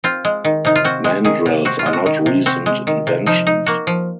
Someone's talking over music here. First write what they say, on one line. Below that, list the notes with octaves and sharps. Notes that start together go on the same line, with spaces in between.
Mandrels are not recent inventions.
C4 F4
G#3
D#3
C3 D#4
F4
C4 F#4
G#3
D#3 G#4
C3
C4 F#4
F4
G#3
F#4
D#3
C3
C4 F#4
G#3
D#3
C3
F3 D#4
D#4
A#3 F#4
F3